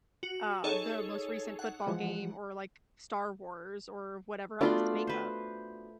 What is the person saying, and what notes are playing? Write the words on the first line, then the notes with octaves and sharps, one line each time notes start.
uh, the most recent football game or, like, Star Wars or whatever else Makeup
F#4
D#4 G#4 A4 C#5
F#5
E3 F3 G#3
A3 B3 D4 F4 F#4 C6
B4 C5